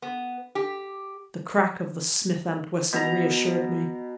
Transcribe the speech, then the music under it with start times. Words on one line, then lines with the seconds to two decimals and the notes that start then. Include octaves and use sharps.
The crack of the Smith and Wesson reassured me.
0.02 B3
0.55 G4
2.93 B2 A#5